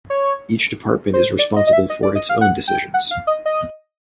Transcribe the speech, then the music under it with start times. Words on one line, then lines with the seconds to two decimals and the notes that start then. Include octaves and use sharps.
Each department is responsible for its own decisions.
0.10 C#5
1.13 C5
1.39 D5
1.56 D#5
1.67 D#5
1.73 E5
1.90 D#5
2.03 D5
2.15 D#5
2.29 F5
2.41 F#5
2.68 G5
2.94 F#5
3.11 F5
3.27 D#5
3.46 D#5